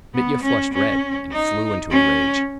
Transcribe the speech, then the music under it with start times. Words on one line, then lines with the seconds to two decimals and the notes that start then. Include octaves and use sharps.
Mitya flushed red and flew into a rage.
0.14 B3
0.43 C#4
0.73 C#4
1.32 D#4
1.91 C#4